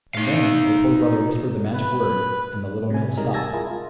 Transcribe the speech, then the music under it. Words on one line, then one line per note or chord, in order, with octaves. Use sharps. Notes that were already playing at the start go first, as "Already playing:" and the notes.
And then the Poor Brother whispered the magic word, and the Little Mill stopped.
D#4 F5
B4
C3 G#5
C3 G3 G#3 D#4 A#4
G#5 A5 E6 G#6 A#6
E4 F4 G#4 A#4
F4